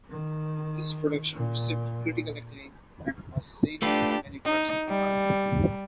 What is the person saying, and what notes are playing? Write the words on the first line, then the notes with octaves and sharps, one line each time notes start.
This production received critical acclaim and was seen in many parts of the world.
D#3
A#2
A3 D4 F4 G4 B4
D#4
G3